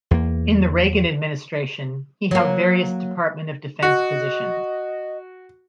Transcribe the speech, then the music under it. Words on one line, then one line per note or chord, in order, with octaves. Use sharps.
In the Reagan administration, he held various Department of Defense positions.
E2 A#3
F#3 A#3
F#4 D#5